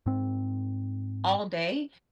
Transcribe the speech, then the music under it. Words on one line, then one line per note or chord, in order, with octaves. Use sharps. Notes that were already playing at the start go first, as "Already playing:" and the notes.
all day,
G#2 C4